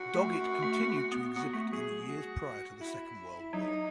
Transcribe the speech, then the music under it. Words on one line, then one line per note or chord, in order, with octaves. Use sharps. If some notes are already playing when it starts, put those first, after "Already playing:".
Doggett continued to exhibit in the years prior to the Second World War.
Already playing: F#4
A3
A3
B3
B3
B3 F#4
A3
F#3 G#4
F#4
E4
F#3 D#4